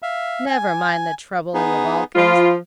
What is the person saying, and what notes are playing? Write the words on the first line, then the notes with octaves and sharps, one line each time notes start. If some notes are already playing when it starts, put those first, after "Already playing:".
'Never mind the trouble in the Balkans.
E5 F5
G#5
B3 D#4 G#4
F3 E4 F4